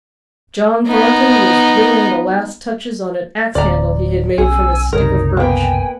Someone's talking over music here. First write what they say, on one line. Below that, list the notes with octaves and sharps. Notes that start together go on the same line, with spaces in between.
John Thornton was whittling the last touches on an axe-handle he had made from a stick of birch.
B3 D#4
D1 D5 A#5
B1 C#4 G#4 G#5 E6
F#1 C2 D#4 A#4 C#5
A#3 B3 G5 G#5